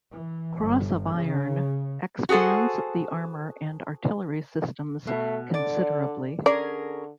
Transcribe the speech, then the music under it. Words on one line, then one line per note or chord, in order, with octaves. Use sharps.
Cross of Iron expands the armor and artillery systems considerably.
E3
G1
C#3
F#4 G#4 A4 C5 F#5
B2 A3
D3 D5
D3 C#4 G#4 A#4 D5